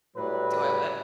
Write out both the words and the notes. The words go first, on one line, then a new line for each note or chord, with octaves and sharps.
Do I what?
A2 F#3 G3 B4